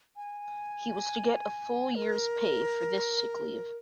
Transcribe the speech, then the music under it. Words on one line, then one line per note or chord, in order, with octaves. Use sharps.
He was to get a full year's pay for this sick leave.
G#5
A#4